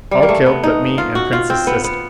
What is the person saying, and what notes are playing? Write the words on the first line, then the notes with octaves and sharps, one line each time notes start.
All killed but me and Prince's sister.
G3
A#3
A3
B3
D#4
F4
F#4
F4
C4
B3
B3